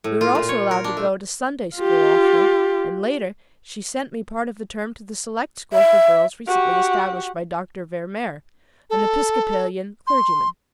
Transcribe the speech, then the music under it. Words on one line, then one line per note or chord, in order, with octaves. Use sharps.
We were also allowed to go to Sunday school oftener, and later, she sent me part of the term to the select school for girls recently established by Dr. Ver Mehr, an Episcopalian clergyman.
A2
F4
A#2
C#5
A#4
D4
A3
F4 G4
E5
F#4 G4
A4
C6